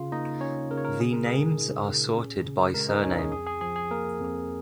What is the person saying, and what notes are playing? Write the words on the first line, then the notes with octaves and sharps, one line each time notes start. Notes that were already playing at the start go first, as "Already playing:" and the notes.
The names are sorted by surname.
Already playing: C#3 F4 F5
A#3 D#4 D#5
C#4 C#5
C#3 A#4
C#5
A#4
A#2 G#4
A#4
G#3 G#4
D#4
A#2
C#4
C#3
G#3 A#4
D#4 D#5
C#2 C#4 C#5
G#4
F2 G#4
G#4
F3 G#4
G#4
A#3 A#4
F2